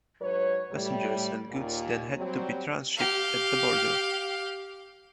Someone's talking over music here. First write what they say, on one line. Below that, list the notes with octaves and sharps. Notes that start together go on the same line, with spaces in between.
Passengers and goods then had to be transhipped at the border.
G#2 F#3 B4 C#5
A2 G3
D#2 A#2
F#3 G3 C4
G4 F5